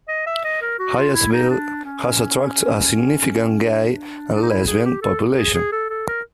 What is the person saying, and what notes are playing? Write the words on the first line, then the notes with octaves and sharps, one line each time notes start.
Hyattsville has attracted a significant gay and lesbian population.
D#5
E5
D#5
A#4
F#4
F4
E4
D#4
D4
C#4
D4
D4
D#4
E4
G#4
G4
A4
G#4
G#4
A4
A4
A#4